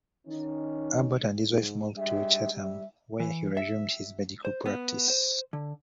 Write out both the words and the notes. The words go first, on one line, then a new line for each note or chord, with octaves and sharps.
Abbott and his wife moved to Chatham where he resumed his medical practice.
D#3 C#4 D#4
G#2
G3 G#3 D4 G4 E5
G3 E5
E3
E5
C5
B3
C5
D3